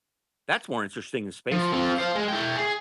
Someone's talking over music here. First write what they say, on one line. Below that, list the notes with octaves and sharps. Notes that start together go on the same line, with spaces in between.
That's more interesting than space to me.
F3
C4 F4
C5 F5
G#3
E4 G5
G#4